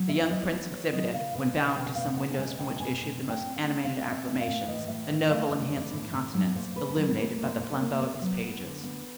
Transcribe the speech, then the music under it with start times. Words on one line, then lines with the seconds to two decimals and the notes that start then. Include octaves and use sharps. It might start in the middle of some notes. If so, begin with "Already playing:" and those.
The young prince exhibited, when bowing to some windows from which issued the most animated acclamations, a noble and handsome countenance, illuminated by the flambeaux of his pages.
Already playing: F#3
0.09 B3 E5
0.23 E5
0.30 F#3 D#5
0.43 C#5
0.51 B3 D5
0.72 B3 C#5
0.93 F#3 D#5
1.13 C#3 F5
1.35 B2 F5
1.56 B2
1.75 B2 G5
1.86 F#5
1.95 B3 F5
2.06 F#5
2.17 B2 F#5
2.31 A5
2.38 G#3 G#5
2.59 B2 G5
2.76 A5
2.80 B2 G#5
3.00 A2
3.21 A2
3.29 G5
3.43 C4
3.56 F#5
3.63 A3
3.84 C4 F5
4.06 C4
4.12 E5
4.26 A2
4.36 E5
4.40 F5
4.47 A2
4.68 E3 D#5
4.88 A2 E5
5.09 E3 E5
5.30 A3 F5
5.51 A3 D#5
5.60 D5
5.69 E3 C#5
5.77 D5
5.93 A2
6.14 A2
6.34 F#3
6.55 A#2 C5
6.75 A#2 B4
6.89 B4
6.96 F#3 A#4
7.17 A#3 B4
7.38 A#3
7.46 C5
7.59 A#2
7.72 C#5
7.80 A#3
8.01 B3
8.21 F#3
8.42 B3
8.64 D3
8.83 B3